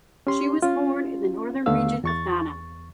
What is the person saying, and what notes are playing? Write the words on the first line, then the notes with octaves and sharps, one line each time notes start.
She was born in the Northern Region of Ghana.
C#4 G4 C6
C#4 F4
D#2 D3 A3 B3 F5 E6
E2 C#6 A6